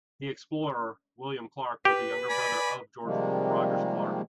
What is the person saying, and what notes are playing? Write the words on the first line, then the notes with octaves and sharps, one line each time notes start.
The explorer William Clark was a younger brother of George Rogers Clark.
G4 B4
D5 G#5 B5
C3 D#3 F3 G3 G#3 A#3